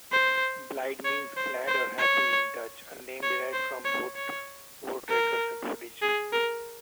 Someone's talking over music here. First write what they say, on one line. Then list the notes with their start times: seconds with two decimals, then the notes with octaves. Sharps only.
Blyde means "glad" or "happy" in Dutch, a name derived from a voortrekkers' expedition.
0.12 C5
1.05 C#5
1.37 C5
1.68 C5
1.98 C#5
3.23 C#5
3.53 C5
3.85 C#5
4.16 C#5
5.09 A#4
6.02 G#4
6.33 A#4